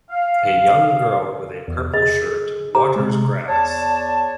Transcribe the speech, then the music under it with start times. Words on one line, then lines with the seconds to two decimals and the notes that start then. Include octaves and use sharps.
A young girl with a purple shirt, waters grass.
0.10 F5
1.68 E2
1.94 G#4 D#5
2.75 G4 C5 A#5 D6
2.96 C3 G#3
3.49 E2 C#5 D5 A5